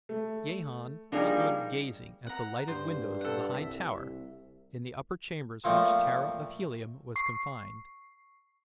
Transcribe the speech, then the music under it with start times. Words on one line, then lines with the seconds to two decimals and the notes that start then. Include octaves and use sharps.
Gahan stood gazing at the lighted windows of the high tower in the upper chambers of which Tara of Helium was confined.
0.09 A3
1.12 F3 G3 A#3 D4 D#4 G#4
2.27 F#5 A#5
2.68 G2 C5
3.21 A4 F#5
3.54 C2 E5
3.93 C2
5.64 A#2 F3 A3 C4 F4 A4
7.16 C#6 C7